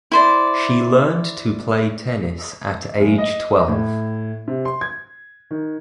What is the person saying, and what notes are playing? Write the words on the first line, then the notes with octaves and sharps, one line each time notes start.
She learned to play tennis at age twelve.
E4 C5 D5
F#1
D#5
A2
C3
C6
G#6
D#3